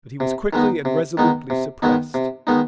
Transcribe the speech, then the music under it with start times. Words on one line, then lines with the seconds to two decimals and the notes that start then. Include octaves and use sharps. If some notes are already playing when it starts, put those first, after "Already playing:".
But he was quickly and resolutely suppressed.
0.20 C3
0.53 D#3 G#3 B3 D#4
0.85 C3
1.17 D#3 G#3 B3 D#4
1.50 C3
1.82 D#3 G#3 B3 D#4
2.14 C3
2.47 D#3 G#3 B3 D#4